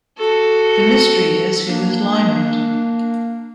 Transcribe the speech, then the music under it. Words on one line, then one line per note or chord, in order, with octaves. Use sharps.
The mystery is who is Lymond?
F#4 A4
A#3 D4